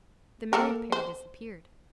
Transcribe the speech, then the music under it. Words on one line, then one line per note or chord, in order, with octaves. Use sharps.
The married pair disappeared.
A#3 A4 A#4
C5